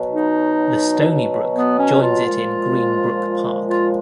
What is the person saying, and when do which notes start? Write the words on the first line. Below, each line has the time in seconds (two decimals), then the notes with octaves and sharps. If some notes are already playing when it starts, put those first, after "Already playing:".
The Stony Brook joins it in Green Brook Park.
Already playing: B2 F#3
0.11 D#4
1.54 B3
1.78 C#4
2.01 F4
2.25 A#2 F3 G#3
3.67 F4